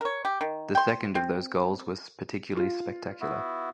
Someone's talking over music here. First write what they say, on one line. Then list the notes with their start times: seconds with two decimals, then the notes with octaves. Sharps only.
The second of those goals was particularly spectacular.
0.01 A#4 C#5
0.25 G4
0.41 D#3
0.75 G5 C6
1.15 C4
2.57 F4
3.21 B3 E4 F#4